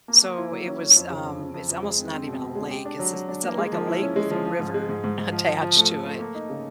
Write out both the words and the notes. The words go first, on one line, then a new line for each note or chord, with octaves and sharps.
so it was, um it's almost not even a lake, it's it's like a lake with a river attached to it,
A#3
A#3
E4
F#3
C#4
C#4
F2
C#3
F2
F2
F2
F2
G#3
C4
C4
B2
B2
G#3
G4
D4
F#3
F#3
D4
A#3
G#3
F3
E4
C#4
G#3
F3
F3
G#2
G#3
G#2
G#2
G#2
F3
F3
F3
A3
A3
A3
A#3
D#4
C#3